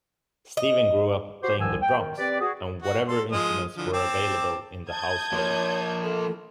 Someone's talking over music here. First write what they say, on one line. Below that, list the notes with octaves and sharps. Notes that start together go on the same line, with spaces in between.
Steven grew up playing the drums and whatever instruments were available in the household.
D#5
F#4 G4 C5
C2 G#2 D#3 F3 G#5 E6
G5
D#3
C4 G4 B4 D5
F#4 G#4
F#4
A4 C6
F3 G#3 D#6
D3 E3 F3
C4 A5 D6
A5 D#6 G6 G#6
F3 A#3 C#5
A4